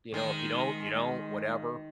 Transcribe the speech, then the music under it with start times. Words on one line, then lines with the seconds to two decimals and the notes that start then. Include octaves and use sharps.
you know, "If you don't, you don't, whatever."
0.14 D#3 G#3